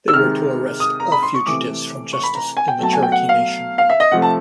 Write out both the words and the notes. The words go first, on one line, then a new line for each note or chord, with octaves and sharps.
They were to arrest all fugitives from justice in the Cherokee Nation.
E6
C3 D#3 G#3 F6
D#6
A#5
B5
C6
C#6
C3 E3 A3 D6
C#6
B5
A#5
G#5
G5
B2 F#3 A3 A5
G#5
G5
F#5
F5
F5
E5
D#5
C3 F3 A3 F#5
A5